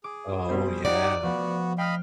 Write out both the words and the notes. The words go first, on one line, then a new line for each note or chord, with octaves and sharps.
Oh, yeah.
G#4 D6 D7
B2 G3 C4
D#4 G4 D5 F#5 A#5
D6
F3 A3 B3 F4 F#4
D#5 F5 G5 B5 F6 C7